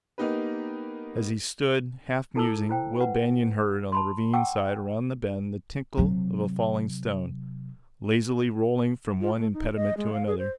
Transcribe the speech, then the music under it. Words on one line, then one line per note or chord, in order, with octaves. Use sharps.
As he stood, half musing, Will Banion heard, on the ravine side around the bend, the tinkle of a falling stone, lazily rolling from one impediment to another.
A#3 B3 D#4 G4 B4
E4 A4 A5 D6 E6
E4 C5 G5
B4 F#5
A5 B5 C6
F#5 G5 A5 C#6 D6 E6
C3 F#3
F4
A3
D#4
D#5
G#3
F5
G#4
C5